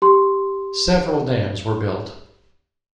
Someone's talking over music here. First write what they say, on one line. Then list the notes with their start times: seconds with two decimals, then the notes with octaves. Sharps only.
Several dams were built.
0.02 G4 C6